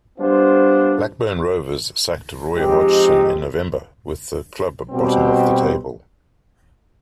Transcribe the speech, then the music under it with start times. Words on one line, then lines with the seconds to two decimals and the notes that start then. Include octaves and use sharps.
Blackburn Rovers sacked Roy Hodgson in November, with the club bottom of the table.
0.17 G3 B3 D4 F4 C5
2.54 F3 G#3 C4 D#4 G4
4.90 B2 G3 C4